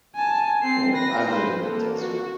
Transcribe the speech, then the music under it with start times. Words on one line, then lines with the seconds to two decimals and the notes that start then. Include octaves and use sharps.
Cool, I live in the desert.
0.15 G#5 A5
0.62 C4 C7
0.93 B4 A#6
1.28 B4 C5
1.61 A#3 A4
1.95 F#4